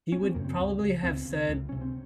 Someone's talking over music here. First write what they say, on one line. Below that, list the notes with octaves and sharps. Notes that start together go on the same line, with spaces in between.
He would probably have said
F#1 C#4
C4
F#2 C#3 A#3
C4
C#2
C#3
C#2 C4
C#3
C#2
C3 C#4
C4